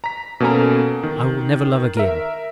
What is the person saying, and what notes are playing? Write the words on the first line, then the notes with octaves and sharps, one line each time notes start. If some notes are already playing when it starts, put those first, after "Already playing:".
I will never love again.
A#5 B6
B2 A#3 C#4 A4 G#5 A#5
D#3
A#4 E5